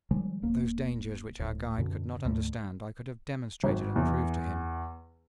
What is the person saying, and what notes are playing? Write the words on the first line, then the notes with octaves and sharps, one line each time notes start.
Those dangers which our guide could not understand I could have demonstrated and proved to him.
D#3 F3 G3 G#3
D#1 A#3
D1 A2
F#2 B2 D3
D2 G#2 A3
G#1
E2